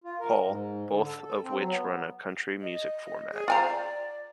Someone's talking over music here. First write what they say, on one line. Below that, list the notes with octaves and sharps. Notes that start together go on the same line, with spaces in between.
Paul, both of which run a country music format.
F4
A#4
G#2
D3
A4
A4
C4
F#3
B3
D#5
G#4
F4 C5 G#5 A#5
D5